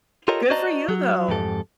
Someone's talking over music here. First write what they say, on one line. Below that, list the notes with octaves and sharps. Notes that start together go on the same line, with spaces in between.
good for you, though.
F4 G4 A4 A#4 C#5 D#5
F#4 C5 D5 D#5 A5 A#5
F#3
F2 G#2 G4 A4